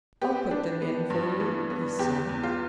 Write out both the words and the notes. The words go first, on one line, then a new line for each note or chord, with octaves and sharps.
"I'll put them in for you," he said.
B3 G4
D4
B3
G2
E3
B3
E2 G4
E2
F4